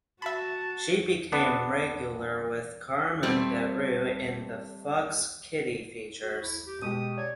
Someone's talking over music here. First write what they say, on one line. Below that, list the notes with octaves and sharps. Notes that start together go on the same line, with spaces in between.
She became regular with Carmen De Rue in the Fox Kiddie Features.
F#4 E5 A5 B5
B3 D4
G3 A3 C4
F#4
E4
G4
B2 G#3 G4 D#6
C#5 D5